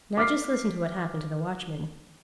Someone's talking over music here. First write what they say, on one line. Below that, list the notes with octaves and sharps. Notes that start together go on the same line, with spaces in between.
Now just listen to what happened to the watchman.
D6 F6 B6 C7